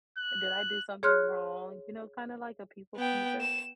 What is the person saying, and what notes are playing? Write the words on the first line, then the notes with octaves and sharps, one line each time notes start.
"Did I do something wrong?" You know, kind of like a people pleaser,
F#6
G#4 C#5 C6 F6 F#6
B3 G5
E7